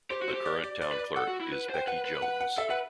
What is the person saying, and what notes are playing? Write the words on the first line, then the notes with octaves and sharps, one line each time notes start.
The current Town Clerk is Becky Jones.
G4 C5
F#4
C5
G4
D5
D5
D5
B4
D5
A4 F#5
F#4
E4
B4
C5 G5
B4 F#5
B4
F#5
F#5
A4 E5
B4 F#5